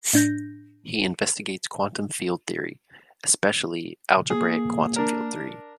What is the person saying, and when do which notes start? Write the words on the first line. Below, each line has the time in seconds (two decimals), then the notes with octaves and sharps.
He investigates quantum field theory, especially algebraic quantum field theory.
0.13 A2 D4 G6 A#6
4.30 A#3 G#4
4.96 D4 A#4